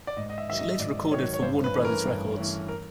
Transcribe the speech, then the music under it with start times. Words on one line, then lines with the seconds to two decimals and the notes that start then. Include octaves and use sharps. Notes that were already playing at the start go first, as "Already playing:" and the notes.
She later recorded for Warner Brothers Records.
0.07 D5
0.17 G#2 D#5
0.30 D#5
0.38 E5
0.49 D#3 F#3 E5
0.59 D#5
0.79 G#2 D5
1.12 D#3 F#3 C#5
1.33 C#5
1.42 G2 C5
1.64 B4
1.74 E3 A3 C#4
1.85 A#4
2.05 G2
2.37 E3 A3 C#4
2.68 A#4